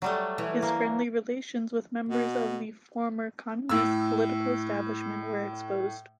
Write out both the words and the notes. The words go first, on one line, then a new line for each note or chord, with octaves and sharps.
His friendly relations with members of the former communist political establishment were exposed.
F#3 G3 A3
E3
A#3
B2
A2 E6